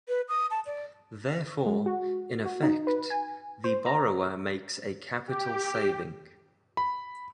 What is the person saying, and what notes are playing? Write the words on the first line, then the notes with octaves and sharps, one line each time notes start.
Therefore, in effect, the borrower makes a capital saving.
B4
D#6
A5
D5
G#3
F#4
F#4
D#4
B4
G#5
C5
A#5
G4
B5